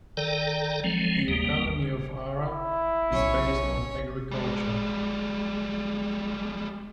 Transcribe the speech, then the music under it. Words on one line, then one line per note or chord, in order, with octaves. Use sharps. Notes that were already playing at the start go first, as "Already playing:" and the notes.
The economy of Hara is based on agriculture.
D#3 A4 D5 G5 A#5
F3 F#3 G#3 C4
D#2 G3 A#3
C#3
E4
B1 C#4 C#5
G3 G#3